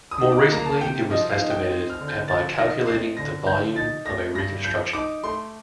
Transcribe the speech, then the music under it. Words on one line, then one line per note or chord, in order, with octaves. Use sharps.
More recently, it was estimated at by calculating the volume of a reconstruction.
D#6
D#4
D6
A#3 A#5
A5
C3 G5
F3 D#5
F5
D#4
G5
C4
F6
D3
G6
F3 A6
D#4 A#6
C4 C7
D3 A#6
F3 G6
D#4 A6
A3 A#6
G2 A#6
F3 G6
D#4 D6
A3 C6